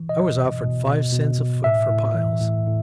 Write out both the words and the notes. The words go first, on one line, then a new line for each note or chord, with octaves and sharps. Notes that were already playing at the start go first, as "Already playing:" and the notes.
I was offered five cents a foot for piles.
Already playing: E3
B2 D#5
B2
B2
B2
B2
B2
A2 E5
A2
E3
A2
A2